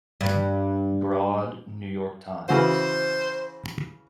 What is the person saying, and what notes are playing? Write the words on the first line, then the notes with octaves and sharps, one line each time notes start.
Broad, New York Times.
G2
C#3 E3 F#4 C5